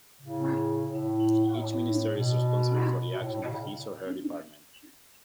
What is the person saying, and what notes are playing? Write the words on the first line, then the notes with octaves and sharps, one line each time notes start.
Each minister is responsible for the actions of his or her department.
A2 C#3
A2
A2
B2
B2
A2
A2
B2
A2 C#3